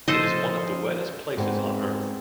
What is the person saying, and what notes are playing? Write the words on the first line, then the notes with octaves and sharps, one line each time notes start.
It is one of the wettest places on earth.
F3 A4 C5 D#5
G#2 B3 C4